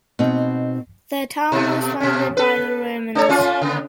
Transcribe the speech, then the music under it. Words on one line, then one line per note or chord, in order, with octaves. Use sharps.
The town was founded by the Romans.
B2 B3 C4 D#4
B2 A3
B2 C#4
A4 B4
D4 A4 C#5
A3 C#4 F4
C#3